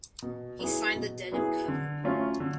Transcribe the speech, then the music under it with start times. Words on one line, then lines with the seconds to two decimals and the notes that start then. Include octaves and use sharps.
He signed the Dedham Covenant.
0.22 B2
0.59 F#3 B3 E4 G#4
0.96 B2
1.32 F#3 B3 E4 G#4
1.68 D3
2.04 F#3 A3 C#4 F4
2.40 D3